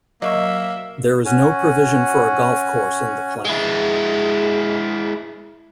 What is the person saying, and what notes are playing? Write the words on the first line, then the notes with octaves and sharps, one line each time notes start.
There is no provision for a golf course in the plan.
F#3 A#3 D#5 E5 C#6
C#4 F#4 G#5
G#3 E4